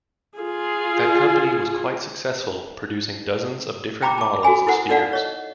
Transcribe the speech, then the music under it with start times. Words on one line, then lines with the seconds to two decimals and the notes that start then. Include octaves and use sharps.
That company was quite successful, producing dozens of different models of speakers.
0.38 F4 G#4
4.02 G5 A#5 B5 D6
4.18 A5 D6
4.43 F#4 A4 G#5 B5
4.67 E4 A4 A#4 C5 F#5
4.89 D#4 A4 D5 F5 F#5
5.13 C#5 D#5